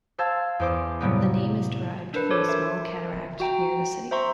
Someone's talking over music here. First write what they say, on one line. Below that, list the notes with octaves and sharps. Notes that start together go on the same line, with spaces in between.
The name is derived from a small cataract near the city.
C5 F5 A5 E6 G#6
E2 C5 D6
A2 C3 F#3 G3 A#3 B3
D4 A#4 B4
A4 C5 C#5 D6
A#4 E5
F#4 G5 A#5
C5 E5 A#5 C6 C#6